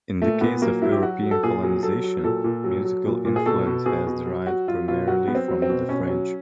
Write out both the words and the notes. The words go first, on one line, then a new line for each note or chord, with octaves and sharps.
In the case of European colonization, musical influence has derived primarily from the French.
A#2 A3
A#2 B3
F#3 A#3
F#3 E4
G4
F#3 F#4
F#3
A4
A#2 G#4
F#3
F#3 A4
F#3
A#2 A4
A#2
F#3
F#3
A#2
A#2
G#4
B2 A4
B2
B2 G#4
B2
F#3
F#3 F#4
F#3 F4
B2 F4
F#3 F#4
F#3 B3
C4
F#3
C4
B2
B2 C#4
F#3